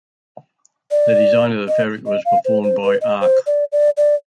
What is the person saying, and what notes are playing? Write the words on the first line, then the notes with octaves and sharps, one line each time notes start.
The design of the fabric was performed by Arq.
D5
D#5
D#5
F5
C5
C5
B4
D#5
C5
D5
D5
D5